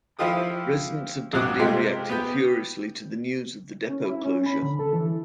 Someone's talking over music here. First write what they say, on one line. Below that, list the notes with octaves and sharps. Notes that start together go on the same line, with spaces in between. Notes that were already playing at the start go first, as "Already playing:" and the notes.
Residents of Dundee reacted furiously to the news of the depot closure.
F3 E4 F4 G4 D#6
A#1 G2 F#4 D6
C3 G#3 F4 G4
B3 G4 G5
C#4
E4
C#4
B5
D3
A4
E3